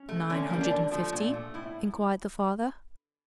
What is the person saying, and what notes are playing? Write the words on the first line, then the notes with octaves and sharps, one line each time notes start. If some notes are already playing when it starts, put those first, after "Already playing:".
"Nine hundred and fifty?" inquired the father.
Already playing: C#4
A3
D3 C#4
G3 A#3 C#4
D4
D3
F3 A3
A#2
A3
A2 E4